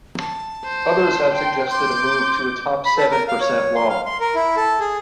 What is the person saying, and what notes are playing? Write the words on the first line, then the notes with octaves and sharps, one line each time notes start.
Others have suggested a move to a top seven percent law.
A5
C5
G5 C6
C6 D6 G6
B5
A4
A#4
F5
C#5
C6
F5
C6
A#4
E4
A4
G#4